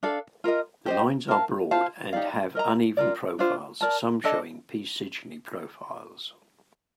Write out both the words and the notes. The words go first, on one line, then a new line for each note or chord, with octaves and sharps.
The lines are broad and have uneven profiles, some showing P Cygni profiles.
D4 A4 D5 F5
F4 A#4 D#5
G4 C5 D#5
A#4 F5 A5
F4 C5 F5 A5
D#4 G4 D5 F5
A#4 D#5 A#5
F4 A#4 D5
D4 F4 C5
A#4 D5 A5
D4 A4 D#5 A5